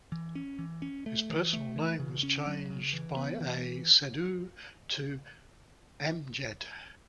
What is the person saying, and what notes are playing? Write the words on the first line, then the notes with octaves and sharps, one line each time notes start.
His personal name was changed by a sadhu to Amjad.
E3
C#4
E3
C#4
A3
E3
A3
E3
C#3
C#4
F#3
C#3
E3
B3
E3